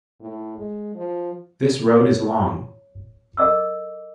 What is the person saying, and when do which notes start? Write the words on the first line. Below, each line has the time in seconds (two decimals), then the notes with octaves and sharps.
This road is long.
0.20 A2
0.58 G#3
0.95 F3
1.98 C#5
3.37 A4 A#4 D#5 D6 E6